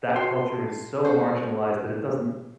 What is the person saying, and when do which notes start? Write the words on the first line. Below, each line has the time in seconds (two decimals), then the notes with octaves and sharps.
that culture is so marginalized that it doesn't
0.16 F#4 A4 B4 D#5 C6
1.05 G3 D4 F#4 A4 C5 C#6